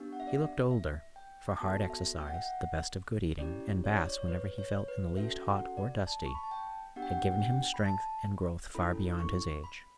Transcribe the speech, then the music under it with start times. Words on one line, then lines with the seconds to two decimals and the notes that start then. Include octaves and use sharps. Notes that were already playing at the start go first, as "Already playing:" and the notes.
He looked older, for hard exercise, the best of good eating, and baths whenever he felt in the least hot or dusty, had given him strength and growth far beyond his age.
Already playing: B3 D4 G4
0.13 F#5
0.20 E5
0.27 D5
0.71 E5
1.16 G5
1.60 B3 F#4 A4 A5
1.90 E5
2.20 G5
2.27 F#5
2.34 E5
2.42 F#5
3.39 C#4 E4 G4 D5
3.84 C#5
3.97 D5
4.10 C#5
4.28 B4
4.58 C#5
4.88 B4
5.17 C#4 F#4 A4 E5
5.48 F#5
5.77 D5
6.07 A5
6.26 C#6
6.35 B5
6.43 A5
6.51 G5
6.96 B3 D4 G4 F#5
7.02 G5
7.10 F#5
7.32 F#5
7.40 G5
7.74 B5
7.86 A5
8.75 C#4 E4 A4 B5
9.19 C#6
9.64 B5